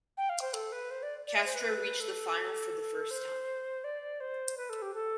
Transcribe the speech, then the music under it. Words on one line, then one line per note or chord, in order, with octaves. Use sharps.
Castro reached the final for the first time.
G5
F5
C5
A4
B4
C5
D5
D5
E5
C5
B4
A4
C5
D5
C5
B4
A4
G4
A4